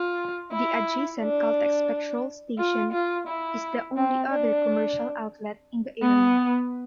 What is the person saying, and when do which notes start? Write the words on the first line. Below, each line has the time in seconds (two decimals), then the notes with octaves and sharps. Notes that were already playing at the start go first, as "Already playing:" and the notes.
The adjacent Caltex petrol station is the only other commercial outlet in the area.
Already playing: F4
0.52 E4
1.20 D4
2.58 F4
2.92 F4
3.27 E4
3.96 C4
4.30 D4
6.02 B3